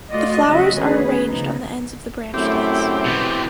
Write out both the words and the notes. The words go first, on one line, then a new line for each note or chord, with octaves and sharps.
The flowers are arranged on the ends of the branchlets.
A3 F4 F#4 D5 D#5
C#3 F#3 F#4 D#5 E5
D2 D#3 B3 C#4 G#4 B4
C#3 F3 B3 C#4 D#4
F#2 A3 C4 E4 G4
B2 E3